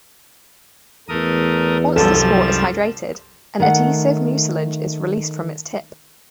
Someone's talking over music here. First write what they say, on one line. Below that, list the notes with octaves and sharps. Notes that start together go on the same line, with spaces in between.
Once the spore is hydrated, an adhesive mucilage is released from its tip.
E2 A3 A#4 D#6
C2 F#2 F3 G3 F4 A4 E7
D#3 A3 F#5